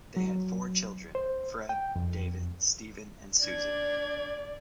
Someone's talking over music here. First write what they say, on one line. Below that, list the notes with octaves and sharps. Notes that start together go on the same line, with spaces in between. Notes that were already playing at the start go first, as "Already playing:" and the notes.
They had four children: Fred, David, Steven and Susan.
F#3
C5
G5
F2
D4 D5 G#6